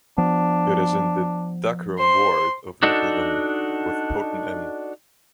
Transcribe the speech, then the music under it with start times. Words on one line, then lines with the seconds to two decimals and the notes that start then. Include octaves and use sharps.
It is in the Dacorum Ward of Nettlden with Potten End.
0.18 F3 B3 D4
1.99 C5 C6
2.83 D4 D#4 F#4 A4